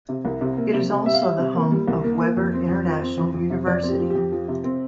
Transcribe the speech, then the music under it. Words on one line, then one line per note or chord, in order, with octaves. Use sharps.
It is also the home of Webber International University.
C3
C2
C3
A#3
C3
C3
G3 E5
F5
G3 E5
C3
A#3
G3
C2
A#3
A#3
F2
C4
F2
F3
C4
F2
F2
C3
F2 D5
C4
G4
F3
G4
F2
F3
C3
C4